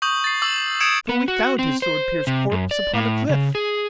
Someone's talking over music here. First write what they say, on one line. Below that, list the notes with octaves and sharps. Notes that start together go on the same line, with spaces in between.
For we found his sword-pierced corpse upon a cliff.
C#6 D#6 G6 F#7
A6 C7
D6 E6 F#7
D#6 G6 G#6 C#7 D7 E7
B3
F#4
C4
C5
C3
F#2
D5
A2
C#3
G#4